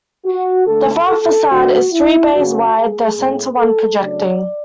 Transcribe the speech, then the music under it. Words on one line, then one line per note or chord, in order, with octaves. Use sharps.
The front facade is three bays wide, the center one projecting.
F#4
D3 A3 D4 A4
A4
D3 A3 D4 F#4
E4
C#3 F#3 B3 F#4
G#4
A2 G#3 B3
A4
C#3 F#3 A3 D4 D5